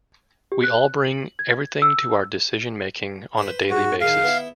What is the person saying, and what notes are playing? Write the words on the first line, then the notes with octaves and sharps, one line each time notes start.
We all bring everything to our decision-making on a daily basis.
G4
F#6
F#7
G#6
E6
B4 C5
G#2 F#4
D#3 G#3 F5
B3 E4